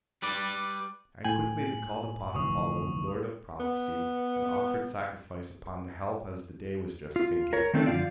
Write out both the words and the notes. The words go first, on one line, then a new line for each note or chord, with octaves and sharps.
And quickly they called upon Apollo, lord of prophecy, and offered sacrifice upon the health as the day was just sinking.
G3 B4 D5
A2 G5 G#5 F#7
F1 D2 E3 C#6 D#6
B3
F4
A#4 C#5
D#3 A3 C4 D4 D#4 A4
F#2 D3 E3 F3 F4 D5